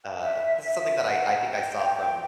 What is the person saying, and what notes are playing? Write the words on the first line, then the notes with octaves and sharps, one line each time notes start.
uh this is something that I I think I saw from,
E5
F#5
G5
G5